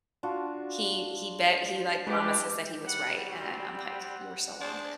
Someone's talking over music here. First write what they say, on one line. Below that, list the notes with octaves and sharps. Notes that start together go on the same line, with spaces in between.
he he bet he, like, promises that he was right, and I'm like, "You were so wrong,"
D4 F4 F#4
G#3 D4 G4 B4 D#5 C#6
G3 F#5
C4 F#4
F#5
D4 G#4 C5